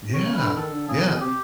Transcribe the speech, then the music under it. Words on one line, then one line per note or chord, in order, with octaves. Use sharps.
Yeah, yeah.
C3
C#5
C#3
B4
D3
D#3 A4
D3
C#3 G#4
B2
C3 G4